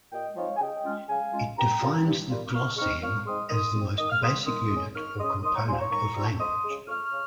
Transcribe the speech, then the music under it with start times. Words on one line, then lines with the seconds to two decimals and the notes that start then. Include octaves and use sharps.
It defines the "glosseme" as the most basic unit or component of language.
0.12 A#2 D#5 G5
0.37 F3 C4 D#4 C#5 F5
0.57 G#5
0.61 C#3 D#5 G5
0.84 G#3 C#4 F4
1.09 C#3 F5 G#5
1.33 G#3 C#4 F4
1.57 G2 G5 A#5
1.81 G3 A#3 F4
2.05 G2
2.29 G3 A#3 F4
2.53 A#2 C#6 F6
2.77 G#3 C4 D#4 C#6 F6
3.02 A#2 C#6 F6
3.26 G#3 C4 D#4 C6 D#6
3.50 D#3 C6 D#6
3.74 G#3 C4
3.98 D#3 D#6
4.10 F6
4.22 G#3 C4 C6 D#6
4.46 D#3 C6 D#6
4.71 G#3 C#4
4.95 D#3 C#6 F6
5.18 G#3 C#4 C6 D#6
5.43 D#3 C6 D#6
5.55 A#5 C#6
5.67 G3 C4 F4 G#5 C6
5.79 A#5 C#6
5.91 D#3 A#5 C#6
6.15 G3 C4 F4
6.39 F2 C6 D#6
6.64 C#3 G#3
6.88 F2 C#6 F6
7.11 C#3